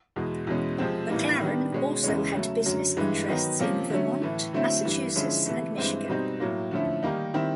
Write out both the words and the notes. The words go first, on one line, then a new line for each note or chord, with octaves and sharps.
MacLaren also had business interests in Vermont, Massachusetts and Michigan.
E2 B2 G#3
E2 B2 G#3 C#4
C3 F3 G#3 C4
A2 E3 G3 A#3 D#4
D#3 G3 B3 D4
B2 G#3 C#4
E2 C#3 E3 G#3 C#4
C#3 F#3 A3
F#2 D3 F#3
G2 E3 G#3
D#3 F#3 B3 D#4
C3 F3 A#3 C#4
D3 F#3 A3 C#4
A2 E3 A3
D3 F#3 A3 C4 E4
G2 E3 G3
D3 F3 G#3 C#4 E4
C3 E3 A3
G2 E3 G#3 C4
B2 G3 C4 D#4
A2 F#3 A#3
D3 F3 A3 C#4 E4
D#3 G3 A#3 D#4
D#3 G3 C4 E4